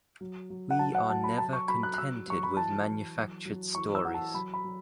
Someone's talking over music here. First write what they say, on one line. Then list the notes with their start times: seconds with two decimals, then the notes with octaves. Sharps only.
We are never contented with manufactured stories.
0.21 F#3
0.50 F#3
0.71 F#5
0.79 F#3 A5
0.95 F#5
1.09 F#3 A5
1.24 B5
1.38 F#3 A5
1.53 C#6
1.68 F#3 B5
1.83 F#6
1.94 F#6
1.98 F#3 E6
2.27 F#3 C#6
2.43 B5
2.56 E3 A5
2.87 E3
3.16 F#3
3.45 F#3
3.75 E3 C#6
3.95 E6
4.05 E3 F#5
4.14 A5
4.34 F#3 B5
4.54 B5
4.64 F#3